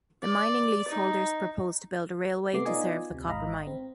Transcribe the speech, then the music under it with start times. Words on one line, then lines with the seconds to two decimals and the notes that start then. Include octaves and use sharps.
The mining lease holders propose to build a railway to serve the copper mine.
0.23 D5
0.88 D#4
2.53 C3 A3 B3 D6 C7
2.65 B3 D#4 F4 D5 D#5 G#5
3.10 D2 C3
3.27 G#1 G#2 D#5 F5 A#5 B5
3.67 C4